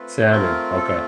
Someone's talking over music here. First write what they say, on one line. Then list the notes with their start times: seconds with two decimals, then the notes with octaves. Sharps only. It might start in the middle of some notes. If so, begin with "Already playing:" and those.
Salmon, okay.
Already playing: A3 C4 F4 B4
0.32 A#4
0.77 A4